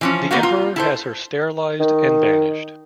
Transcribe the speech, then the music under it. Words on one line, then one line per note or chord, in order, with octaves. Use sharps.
The emperor has her sterilized and banished.
E3 F3 C#4
A#3 B3 D#4 F#4 F5
F4
E4 A4 C5
D#3